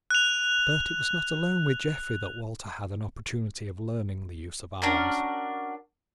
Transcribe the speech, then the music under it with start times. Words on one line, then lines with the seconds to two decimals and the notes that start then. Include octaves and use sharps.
But it was not alone with Geoffrey that Walter had an opportunity of learning the use of arms.
0.11 F#6 F7
4.82 C#4 D4 F#4 A#4